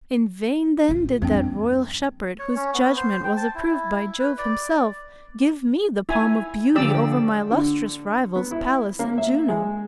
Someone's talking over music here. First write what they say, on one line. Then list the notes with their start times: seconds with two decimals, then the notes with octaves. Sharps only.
In vain then did that royal shepherd, whose judgment was approved by Jove himself, give me the palm of beauty over my illustrious rivals, Pallas and Juno.
0.89 A2 F4
1.22 F2 F3 G3 A#3 C4 D4 G5
2.39 C#5
2.55 C#4
2.74 B3
2.97 C5
3.24 G5
3.37 A5
3.55 E4
4.19 B4
4.38 D5
6.09 E4 G#5
6.75 D3 F3 G4 D5 E6
7.51 D3
8.36 B3
8.51 E4
8.99 A#3
9.18 E5
9.48 G#3